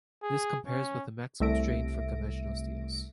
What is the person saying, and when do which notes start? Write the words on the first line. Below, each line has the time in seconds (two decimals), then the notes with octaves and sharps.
This compares with a maximum strain for conventional steels.
0.23 G#4
0.67 C#4
1.40 C2 A3 E5 A#6 D7